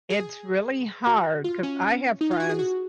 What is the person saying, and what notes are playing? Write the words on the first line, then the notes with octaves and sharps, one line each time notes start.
it's really hard 'cause I have friends
G#4
F#4
F4
C#4
D#4
F4
F#4
G#4
F#4